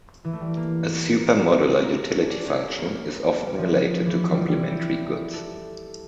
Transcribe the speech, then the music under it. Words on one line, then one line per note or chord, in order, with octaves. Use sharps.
A supermodular utility function is often related to complementary goods.
E3
A3
G3
A#3
A#3
G4
A4
A#4
A#4
A4
C#4
D4
C#4
A#3
G3
F3
E3
F3 G3
G3
E4
G4
A4